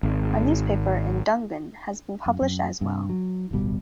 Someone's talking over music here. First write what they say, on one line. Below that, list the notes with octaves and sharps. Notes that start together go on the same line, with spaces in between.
A newspaper in Dungan has been published as well.
G#1
F#2
F#2
G2 C3
F#3
D1 G1 B2 G3